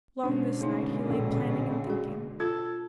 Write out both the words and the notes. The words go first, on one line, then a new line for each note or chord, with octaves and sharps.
Long this night he lay planning and thinking.
B2 D3 G#3 C#4 D4 C5
C#3 A3 D#4
A#1 A4
F#4 G#4
F4 A4 G#6